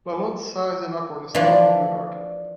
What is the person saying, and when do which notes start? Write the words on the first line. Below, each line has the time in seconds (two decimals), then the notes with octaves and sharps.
Lalonde's size and awkwardness troubled Leonard.
1.35 E3 F3 D4